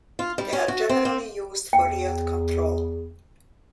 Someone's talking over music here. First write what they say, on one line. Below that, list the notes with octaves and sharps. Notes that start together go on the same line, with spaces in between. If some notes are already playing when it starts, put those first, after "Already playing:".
They are generally used for riot control.
F4
G3
C#4
F#4
C4
C4
E2 G5